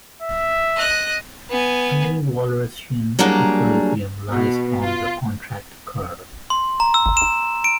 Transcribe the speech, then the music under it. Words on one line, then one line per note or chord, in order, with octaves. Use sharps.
Any Walrasian equilibrium lies on the contract curve.
E5
D#5 F#6
B3 G#5
F#3 G3 A#3 D4 G#4
B2
F4
C6
A#5
E6
E7
D7